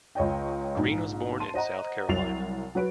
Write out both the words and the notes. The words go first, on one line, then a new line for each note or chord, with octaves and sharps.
Green was born in South Carolina.
C#2 C#5 D#5 G5
A#1 G#2
A5 C6 D#7
C5 D#5 F#5 A#5
C2 F#3 A6 C7 F7
F#3 F#4 B4 D7